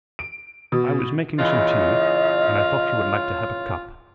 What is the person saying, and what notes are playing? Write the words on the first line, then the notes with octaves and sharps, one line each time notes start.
"I was making some tea, and I thought you would like to have a cup."
D7
B2
A#2 C#3 E3 F4 D#5